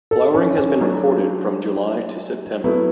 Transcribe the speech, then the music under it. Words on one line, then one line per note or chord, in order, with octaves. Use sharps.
Flowering has been recorded from July to September.
A4
C#4
C#4
F#3 A3 D4
F#3 A3 B3 E4